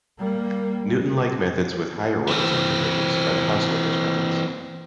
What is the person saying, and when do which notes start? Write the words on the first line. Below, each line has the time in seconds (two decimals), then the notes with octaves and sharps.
Newton-like methods with higher orders of convergence are the Householder's methods.
0.18 G3 A#3
2.28 E3 C4